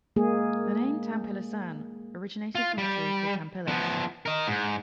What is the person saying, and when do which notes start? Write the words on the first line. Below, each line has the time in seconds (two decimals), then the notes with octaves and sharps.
The name Tampilisan originated from a tree called "Tampilis".
0.16 G#3 A#3 G#4
2.55 F4
2.78 G3
3.68 F3 B3
4.26 A#4 D#5
4.47 G#2